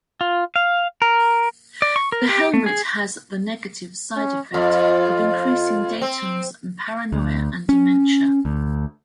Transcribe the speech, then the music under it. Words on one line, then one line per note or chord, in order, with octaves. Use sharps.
The helmet has the negative side effect of increasing Dayton's paranoia and dementia.
F4
F5
A#4
D5
C#6
A#4
G4
A3
G#4
C#4
F2 F4
C4
D2
C#4
D2